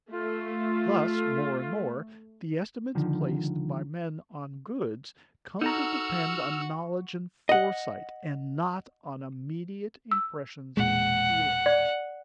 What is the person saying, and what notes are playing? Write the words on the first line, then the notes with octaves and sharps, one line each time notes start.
Thus, more and more, the estimates placed by men on goods come to depend on knowledge and foresight, and not on immediate impressions and feelings.
A3 F4
C#2 D3 D#3 F3
D#4 F#4 A4 F#5 A#5 E6 F6
D#5 F#5
E6
E1 A#2 G#3 F#5
D5